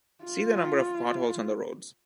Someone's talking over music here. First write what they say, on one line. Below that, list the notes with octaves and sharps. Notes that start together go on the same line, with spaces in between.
See the number of potholes on the roads.
F4